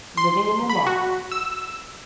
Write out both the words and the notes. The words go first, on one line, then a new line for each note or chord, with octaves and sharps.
Living in the now.
C6
B5
F#4
E6